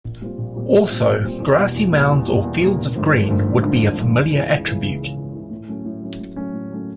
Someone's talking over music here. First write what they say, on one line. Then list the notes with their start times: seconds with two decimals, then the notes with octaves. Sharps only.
Also, grassy mounds or fields of green would be a familiar attribute.
0.04 A#1
0.21 A#2 G3 C4 F4
0.38 A#1
0.56 A#2 G3 C4 F4
0.73 A#1
0.90 A#2 G3 C4 F4
1.06 A#1
1.24 A#2 G3 C4 F4
1.40 E2
1.58 B2 G3 A#3
1.76 E2
1.92 B2 G3 A#3
2.10 E2
2.26 B2 G3 A#3
2.44 E2
2.60 B2 G3 A#3
2.78 G#1
2.95 G2 D3 F3 A3
3.12 G#1
3.29 G2 D3 F3 A3
3.46 G#1
3.63 G2 D3 F3 A3
3.80 G#1
3.98 G2 D3 F3 A3
4.15 C#2
4.32 C#3 E3
4.48 C#2
4.65 C#3 E3
4.83 C#2
5.00 C#3 E3
5.17 C#2
5.33 C#3 E3
5.51 A2
5.68 F#3 A3 C#4
5.85 A2
6.02 F#3 A3 C#4
6.20 A2
6.36 F#3 A3 C#4
6.53 A2
6.70 F#3 A3 C#4